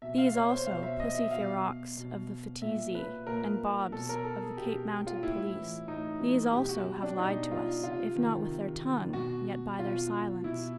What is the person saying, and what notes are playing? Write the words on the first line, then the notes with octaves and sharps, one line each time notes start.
These also, Pussy Ferox of the Phiteezi, and Bobs of the Cape Mounted Police - these also have lied to us, if not with their tongue, yet by their silence.
B2 E5
F5
C#5
C5
B2 F5
E5
D#5
E5
B2 F5
B2
A#2 E5
B4
A#2 A#4
B2 A4
A#4
A4
G#4
B2 G4
F4
A2 E4
E3
A2 D#4
E3
B2 G4
F#4
D4
B2 D#4
F4
C3 F4
D#3
C3
D#3
B2 F#4
B2 F4
B2 E4